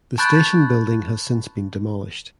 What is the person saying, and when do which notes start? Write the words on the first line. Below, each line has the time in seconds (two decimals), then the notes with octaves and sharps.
The station building has since been demolished.
0.18 A5 B5 C#6 F#6 G6 A6